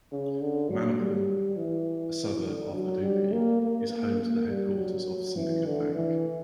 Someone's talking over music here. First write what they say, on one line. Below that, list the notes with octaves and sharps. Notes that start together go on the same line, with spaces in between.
Manipal, a suburb of Udupi, is home to the headquarters of Syndicate Bank.
C#3
D3
F#3
G3
E3
D3
F#3
G3
A#3
A#3
A#3
A#3
G3
F#3
E3
D3
E3